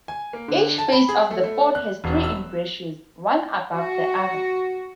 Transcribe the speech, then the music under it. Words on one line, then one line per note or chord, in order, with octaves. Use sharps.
Each face of the fort has three embrasures, one above the other.
G#5
A#3
D3
A5
B5
G#4
A3
A3
F#6
E1
E6
F#4